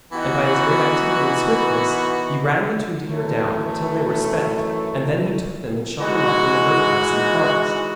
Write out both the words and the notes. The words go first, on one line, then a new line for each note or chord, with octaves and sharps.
And by his great activity and swiftness he ran the two deer down till they were spent, and then he took them and shut them up in the goat-house in the forest.
E3 B3 D#4 F#4
F#2 E3 A3
E3 G#3 D#4 F#4